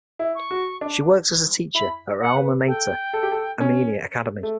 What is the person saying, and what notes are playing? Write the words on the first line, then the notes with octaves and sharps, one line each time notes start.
She worked as a teacher at her alma mater, Amenia Academy.
E4
C#6
F#4
D4
E4 B5
F#5
B4
A4 G5
A4
G4
A4
C#4
A3